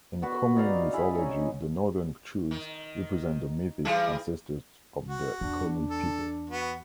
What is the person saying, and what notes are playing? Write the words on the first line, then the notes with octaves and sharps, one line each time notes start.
In Komi mythology, the Northern Chudes represent the mythic ancestors of the Komi people.
B3 F#4 B4
D#4 D5 F5 A#5
E4 G#4 B5
C#4 D#4
D#3
E3 G3 G#4
F#4
E2 D4
A4
B3 F#4